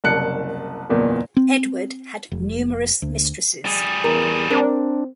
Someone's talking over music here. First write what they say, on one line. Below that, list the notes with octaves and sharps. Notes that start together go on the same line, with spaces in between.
Edward had numerous mistresses.
F#1 C2 A5 F#6 C#7
F#1 E2 A#2
C4
F1
D2
G3 G#4
E2 A#4
C4 D4 A#4